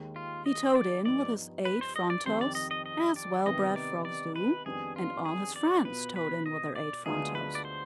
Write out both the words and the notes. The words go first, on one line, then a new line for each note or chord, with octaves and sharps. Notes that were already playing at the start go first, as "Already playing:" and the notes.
He toed in with his eight front toes, as well-bred frogs do, and all his friends toed in with their eight front toes.
Already playing: D#2 D#3 G#3
F4
D#5
D5
G2 F3 B3 D#4 D5
B4
C5
D#5
D5
F2 D#3 G3 C4 C5
D5
D#5
D#5
D#5
D5
C2 C3 D#3 B3 D#4 D#5
D5
D5
B4
F2 D#3 G3 B3 D4 G#4
F4
G#4
D5
B2 B3 F4 B4
B4
D#5
D5
D2 D3 G#3 B3 F4 G#4
B4
D5
C5